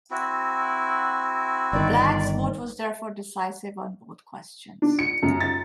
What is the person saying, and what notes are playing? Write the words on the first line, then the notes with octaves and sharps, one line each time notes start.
Black's vote was therefore decisive on both questions.
C4 E4 F#4
G1 D#3 D5
D4
C#7
F#2
A6